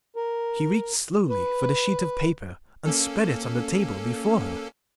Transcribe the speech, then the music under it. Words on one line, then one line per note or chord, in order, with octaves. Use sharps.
She reached slowly for the sheet of paper and spread it on the table before her.
A#4
B4
A#3 C#4 A4